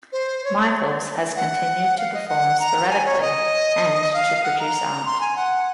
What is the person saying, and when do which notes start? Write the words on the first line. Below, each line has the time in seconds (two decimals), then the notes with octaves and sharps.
Michaels has continued to perform sporadically and to produce art.
0.12 C5
0.44 C#5
1.36 F#5
1.98 F5
2.14 D#5
2.28 F#5
2.60 A#5
2.90 G#5
3.05 C#5
3.21 D#5
4.13 F5
4.43 F#5
4.59 A#5
5.06 C6
5.21 G#5
5.36 F#5